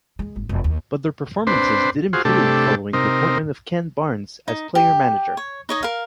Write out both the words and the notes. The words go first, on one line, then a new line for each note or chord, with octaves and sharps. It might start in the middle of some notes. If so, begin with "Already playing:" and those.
But their performances did improve following the appointment of Ken Barnes as player-manager.
G#3
G#1
F1
D#2
C4 D4 B4 C5
F4 F#4 G#4 C5
C3 A3 D4 G4 A4
C3 C4 D#4 A#4
D#4
G4
C#5
D#4 C#5 D#5
A#4 F5